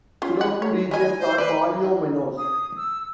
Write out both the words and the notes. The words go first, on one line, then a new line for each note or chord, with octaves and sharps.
Sudoku regions are polyominoes.
C#4 F4
F#5
C#5
G3 D#5 G#5
C5
B4 D5
D#6
E6